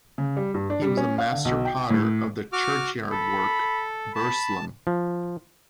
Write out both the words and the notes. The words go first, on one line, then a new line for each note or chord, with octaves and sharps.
He was master potter of the Churchyard Work, Burslem.
C#3
G3
G2
D4
G3
C#4
F5
D3
B1
G5
A2
F#4 D6 F6
A4 B5
A5 B5
F3